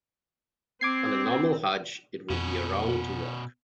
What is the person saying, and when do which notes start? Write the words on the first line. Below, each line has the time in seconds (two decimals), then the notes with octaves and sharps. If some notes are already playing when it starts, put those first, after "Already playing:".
On a normal Hajj, it would be around to walk.
0.81 C4 D6 G#6 C7
2.30 F2 B2 C#4